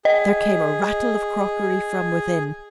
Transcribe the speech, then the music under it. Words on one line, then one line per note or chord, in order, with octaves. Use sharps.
There came a rattle of crockery from within.
G#4 D#5